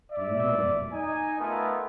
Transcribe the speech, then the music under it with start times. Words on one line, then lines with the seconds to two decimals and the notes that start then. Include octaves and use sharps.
"Do you know me?"
0.12 D5 E5
0.90 D#4 G#5
1.39 A3 B3 F4 A#4